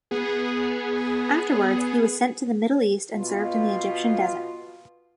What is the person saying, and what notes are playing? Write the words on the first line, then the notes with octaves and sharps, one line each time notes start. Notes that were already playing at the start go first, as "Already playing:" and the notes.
Afterwards he was sent to the Middle East and served in the Egyptian desert.
B3 G#4
B2 F4